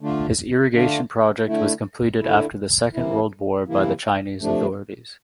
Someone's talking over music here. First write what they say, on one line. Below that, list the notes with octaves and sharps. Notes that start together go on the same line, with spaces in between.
His irrigation project was completed after the Second World War by the Chinese authorities.
D3 A3 D4 F4
D3 A3 D4 F4
D3 A3 E4
D3 A3 E4
C3 E3 A#3 E4
C3 E3 A#3 E4
C3 F3 A3 D4